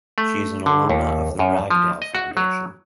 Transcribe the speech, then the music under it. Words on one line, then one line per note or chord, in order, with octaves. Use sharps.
She is an alumna of the Ragdale Foundation.
A3
D3
D#2
F#2
F3
D#5
F#4
F#3